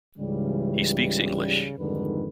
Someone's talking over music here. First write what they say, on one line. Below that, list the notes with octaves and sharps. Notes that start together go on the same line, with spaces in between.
He speaks English.
C#2 G#2 C#3 E3 G3
F2 G#2 D3 D#3 G3 B4